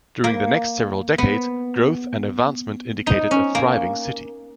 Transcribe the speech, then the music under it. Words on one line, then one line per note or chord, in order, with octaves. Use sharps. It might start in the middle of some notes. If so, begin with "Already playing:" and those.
During the next several decades, growth and advancement indicated a thriving city.
A#3
B3
D#4
C#4
A#3